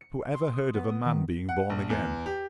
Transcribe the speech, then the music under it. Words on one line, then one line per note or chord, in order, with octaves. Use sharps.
Who ever heard of a man being born again?
C#7
C6
D#6
B3
D#6
D#3
F#5
A#1
E2
G4